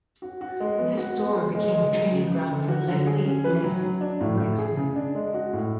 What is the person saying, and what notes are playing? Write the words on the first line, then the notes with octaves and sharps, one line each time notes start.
This store became the training ground for Leslie "Les" Wexner.
F#4
F#4
G#3
B3
F#4
B3
G#4
G#3
G#3
F#3
C#3
C#3
D3
F#4
D3
G#4
C#4
B4
F#3
F#3
D4
A2
A2
G#4
C#3
D4
G#3
F#4
A2